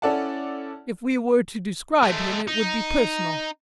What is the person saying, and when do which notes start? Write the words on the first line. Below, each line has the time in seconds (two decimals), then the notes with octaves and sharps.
If we were to describe him it would be personal.
0.02 C#4 E4 A4 D5 F#5 A5
2.03 G#3 A3
2.47 D#4